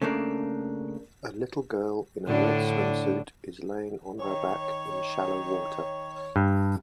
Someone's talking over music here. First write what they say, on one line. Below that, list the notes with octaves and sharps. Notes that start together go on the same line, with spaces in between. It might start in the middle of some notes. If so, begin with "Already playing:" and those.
A little girl in a red swimsuit is laying on her back in shallow water.
C#3 A3 A#3 D4
A2 D3 D4
D#3 C#5
G2